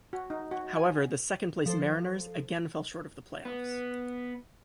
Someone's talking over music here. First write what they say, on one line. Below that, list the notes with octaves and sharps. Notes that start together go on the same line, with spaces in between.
However, the second-place Mariners again fell short of the playoffs.
F#4
D#4
F#4
G#5
F3 A4 C5
B3